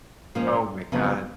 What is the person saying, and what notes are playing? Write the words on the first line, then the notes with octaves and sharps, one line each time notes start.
Oh my god.
G#2 F3 A#3 C#4
F2 C#3 F#3 B3